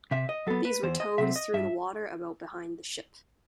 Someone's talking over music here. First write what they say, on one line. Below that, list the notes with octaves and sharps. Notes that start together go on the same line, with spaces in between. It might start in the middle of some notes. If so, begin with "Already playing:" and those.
These were towed through the water about behind the ship.
C3 E5
D#5
F#3 B3 A4
B4
E2 C5
D#5
C3 F#3 C4 E5
D#5
G2 E5